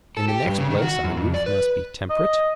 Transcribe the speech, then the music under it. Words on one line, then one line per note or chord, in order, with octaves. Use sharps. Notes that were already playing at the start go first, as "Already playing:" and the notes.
In the next place our youth must be temperate?
A4
G4
G2
C#3
D#3
F#4
F#2
F2
D5
B4
D#5